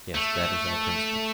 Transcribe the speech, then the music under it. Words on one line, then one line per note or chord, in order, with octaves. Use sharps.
Yes; that is our principle.
A3